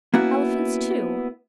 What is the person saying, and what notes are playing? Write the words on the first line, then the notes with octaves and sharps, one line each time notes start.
Elephants, too!
A#3 B3 C#4 E4 F#4